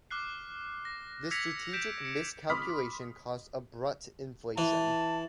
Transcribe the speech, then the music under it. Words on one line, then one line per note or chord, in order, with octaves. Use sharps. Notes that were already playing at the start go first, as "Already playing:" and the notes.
This strategic miscalculation caused abrupt inflation.
D6 F6 F#6 C7
A#6
E6 G#6 A#6 B6 C#7 F7
G6 B6 D7 E7
C#7
B5 C6 D6 D#6 F6 B6
E3 A5